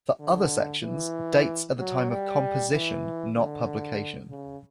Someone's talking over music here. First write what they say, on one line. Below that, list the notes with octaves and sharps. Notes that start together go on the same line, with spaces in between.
For other sections, dates are the time of composition, not publication.
D3
E3
F#3
G3
E3
D3
C#3